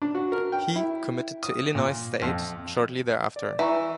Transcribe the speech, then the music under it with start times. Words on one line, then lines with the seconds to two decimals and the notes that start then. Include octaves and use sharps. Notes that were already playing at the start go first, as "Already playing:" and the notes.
He committed to Illinois State shortly thereafter.
0.02 D4
0.15 F#4
0.32 A#4
0.52 G5
0.76 E4
1.43 D#6
1.75 A#2
2.22 F2
3.36 D5
3.59 E3 E5 A#5 C#6